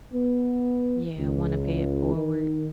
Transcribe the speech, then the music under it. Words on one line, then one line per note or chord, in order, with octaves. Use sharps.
Yeah, wanna pay it forward.
B3
C#2
D#3